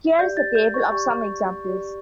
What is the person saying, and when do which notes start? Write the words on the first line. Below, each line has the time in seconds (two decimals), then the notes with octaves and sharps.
Here is a table of some examples.
0.19 G4 D5 G6
0.37 A6
0.55 G6
0.74 C#6
0.92 G4 D5 C#6
1.65 G4 D5